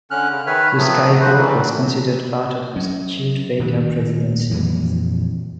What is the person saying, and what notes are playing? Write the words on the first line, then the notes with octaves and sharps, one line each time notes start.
The Sky Hawk was considered part of the Studebaker President series.
D3 C#4 F6 F#6
C#3
D#3 B4 C#5 E5 F6
F3 F#3 A3 B3
D3 F3 F#4 B4 C5
E3 F#3 G3 A3
F#3 C#4
A#2 D#3 A3 A#3
F2 A#2 E3